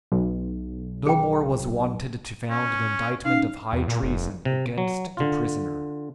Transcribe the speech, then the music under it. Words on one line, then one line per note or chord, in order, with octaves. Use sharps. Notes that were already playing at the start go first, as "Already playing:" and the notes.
No more was wanted to found an indictment of high treason against the prisoner.
B1
G#4 G5
C#4
C#4 D#4 F5
E2
A#2
F1
C3
F#3
D3 F4